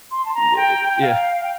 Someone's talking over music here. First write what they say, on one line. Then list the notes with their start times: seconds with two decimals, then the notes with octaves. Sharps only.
ye yeah,
0.11 C6
0.25 A5
0.34 A#5
0.56 G5
0.93 G5
1.02 F5
1.44 G5